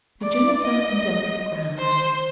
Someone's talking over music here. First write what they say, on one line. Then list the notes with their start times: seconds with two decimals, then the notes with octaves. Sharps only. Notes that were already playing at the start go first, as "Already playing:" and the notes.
The General felt on delicate ground.
0.22 D5
0.61 D#5
1.79 C5